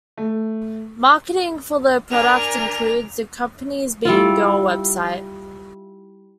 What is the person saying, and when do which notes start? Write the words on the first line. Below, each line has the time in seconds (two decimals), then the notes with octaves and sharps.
Marketing for the product includes the company's BeingGirl website.
0.17 A3
2.10 D4 A#4 G#5 F7
4.05 G3 E4 F4